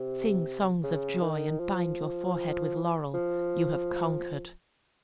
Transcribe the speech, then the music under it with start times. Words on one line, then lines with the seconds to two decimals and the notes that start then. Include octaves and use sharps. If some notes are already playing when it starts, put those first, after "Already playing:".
Sing songs of joy, and bind your forehead with laurel,--you have conquered!
Already playing: C3
0.83 C#3
1.22 D#3
1.59 F3
3.14 F3